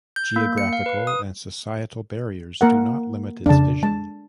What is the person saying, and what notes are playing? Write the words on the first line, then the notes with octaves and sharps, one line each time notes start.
Geographical and societal barriers do not limit its vision.
G6
A#3
C#7
F5
B4
D#6
A#3 A#4 F#5
F2 C#3 D4 A5
G#3 A5